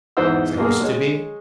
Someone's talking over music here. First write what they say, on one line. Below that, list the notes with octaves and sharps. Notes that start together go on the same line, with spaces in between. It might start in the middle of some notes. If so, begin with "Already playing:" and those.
"As I used to be?"
E2 G#2 C5 F#5 E6
B1 A#3 G#4
G#3 C#5